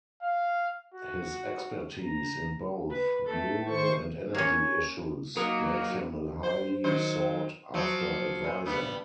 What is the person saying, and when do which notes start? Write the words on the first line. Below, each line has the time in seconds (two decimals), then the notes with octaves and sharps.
His expertise in both rural and energy issues makes him a highly sought-after advisor.
0.23 F5
0.94 F#4
2.02 A#5
2.90 B4
3.27 A3 A4
3.66 D#3 C5 C#6
4.35 A#3 C#4 C#5
5.37 F#3 A#3 D#4 A#4 D#6
6.43 C5
6.84 D#3 F#3 C5
7.74 F3 F#3
8.44 A#2
8.66 G2 G3 B3